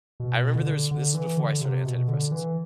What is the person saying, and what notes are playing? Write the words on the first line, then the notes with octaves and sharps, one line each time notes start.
I remember there was this is before I started antidepressants.
B2
D3
D3
E3
D3
C3
B2
D3
E3